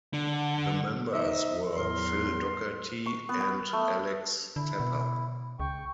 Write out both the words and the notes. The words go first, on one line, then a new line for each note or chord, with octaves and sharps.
The members were Phil Dockerty and Alex Tepper.
D3
D#4 C5 D#5 E5
E2 A2 F#3 A#4 C6
C#6
B3
B3
A3
D3 E4
B2
C#2 G5 C#6